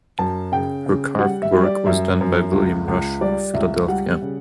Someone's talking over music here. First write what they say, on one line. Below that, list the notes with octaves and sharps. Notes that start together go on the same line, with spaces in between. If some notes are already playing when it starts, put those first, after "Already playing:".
Her carved work was done by William Rush of Philadelphia.
F#2 A5
C#3 G5
C#3
G3 F#5
E5
G3
D5
F#2 E5
F#2
C#2
C#2
G3 D5
C#2 E5
G3 F#5
C#3